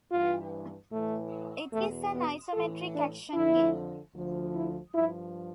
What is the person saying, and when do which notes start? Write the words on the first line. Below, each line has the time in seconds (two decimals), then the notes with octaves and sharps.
It is an isometric action game.
0.11 G2 E3 F4
0.92 A2 E3 A3
1.72 E2 B2 A3
2.13 B3
2.53 A2 E3 A4
2.93 D4
3.34 F2 D3 F3 E4
4.15 D2 D3 F3
4.55 E4
4.95 G2 F3 E4